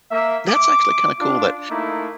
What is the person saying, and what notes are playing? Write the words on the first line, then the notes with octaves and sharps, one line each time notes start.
That's actually kinda cool that
A#3 E5
D6
D4 F4
A3 A#3 D#4 E4